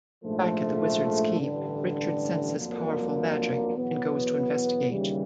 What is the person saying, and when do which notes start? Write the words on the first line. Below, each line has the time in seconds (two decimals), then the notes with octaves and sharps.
Back at the Wizard's Keep, Richard senses powerful magic and goes to investigate.
0.23 A#1 G#2 F3 A3
1.40 A1 G2 D3
2.57 G1 F2 D3 F#3 A#3
3.74 E2 B2 F#3 B3
4.91 D#2 C#3 E3 G3